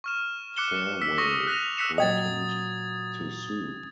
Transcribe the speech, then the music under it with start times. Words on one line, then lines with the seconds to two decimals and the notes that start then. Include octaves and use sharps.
Fairway threatened to sue.
0.04 C#6 F6 E7
0.56 D6 F#6 C#7 E7 G7
1.01 E6 B6
1.18 C#6 D#6 A#6
1.47 F#6 A#6 B6 F7
1.77 E6 F#6 B6 C#7 E7
1.98 A#2 F#3 D#5 G5 D#6 G#6 A6